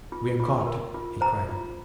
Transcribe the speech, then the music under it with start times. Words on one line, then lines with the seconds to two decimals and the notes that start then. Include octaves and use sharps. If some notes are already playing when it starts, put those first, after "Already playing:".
"We're caught!" he cried.
0.12 F4
0.40 F4
0.67 A#4
0.94 F4
1.21 C5 A#5
1.49 F4